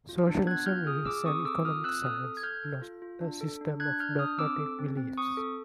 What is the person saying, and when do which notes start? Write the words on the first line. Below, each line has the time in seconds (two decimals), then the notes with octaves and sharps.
Socialism is an economic science, not a system of dogmatic beliefs.
0.09 F4
0.28 D4
0.47 B3 F#6 G#6
0.66 F4 F6 G6
0.86 G#4 D#6 F6
1.05 G#4 D6 E6
1.25 C4 C#6 D#6
1.45 A4 D6 E6
1.65 F4 D#6 F6
1.84 C4 E6 F#6
2.03 A4 D#6 F6
2.24 A4
2.37 G#6
2.43 A4 F6 G6
2.63 A4
2.82 F4
3.02 F4
3.21 D4
3.41 A4
3.61 D4
3.80 D4 F#6 G#6
3.99 D4 F6 G6
4.19 D4 D#6 F6
4.39 C4 D6 E6
4.59 A4
4.79 C4
4.97 C4
5.18 C4 C#6 D#6
5.37 A4